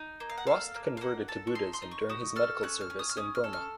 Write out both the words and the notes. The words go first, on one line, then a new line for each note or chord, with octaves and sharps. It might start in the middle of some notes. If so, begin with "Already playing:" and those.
Rost converted to Buddhism during his medical service in Burma.
Already playing: D#4
A#3
F5
F#5
A4 F5
A#3
F5
A#3 F#5
A4 A5
C#6
D#4 C6
C6
D#4
C#6
F#4 D#6
A4 F6
C#4 F#6
F6
C#4
D#6
F6
C#4 D#6
F6
A4
F6